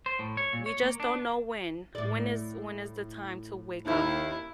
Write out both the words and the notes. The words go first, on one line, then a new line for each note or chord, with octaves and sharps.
We just don't know when, when is, when is the time to wake up?
C5
A2
C#5
A#2
C#5
A#3
D4
A2 D5
D#2 E4